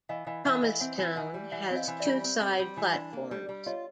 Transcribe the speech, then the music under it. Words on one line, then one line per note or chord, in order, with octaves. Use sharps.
Thomastown has two side platforms.
E3 D#5 F5
E3 D#5 F5
E3 E5 F#5
F#5
E3 D#5 F5
C4 E5 F#5
E3
E3 E5 F#5
G3
E3 E5 F#5
C4
D#5 F5
E3
D5 E5
G3
C4
C4
G3
E3
D4
A#3
G3
G3
F4 C#5 D#5